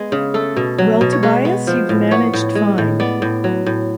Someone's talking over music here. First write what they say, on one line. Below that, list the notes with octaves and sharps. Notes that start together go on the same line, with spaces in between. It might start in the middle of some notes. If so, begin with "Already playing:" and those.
Well, Tobias, you've managed fine.
Already playing: G#3 B3
C#3
A3 A4
B2
F#3
B2
C#5
G#3 B4
B3
F3
A2
B3 C#5
A2
G#3
A2
B3 D5
A2
F#3
A2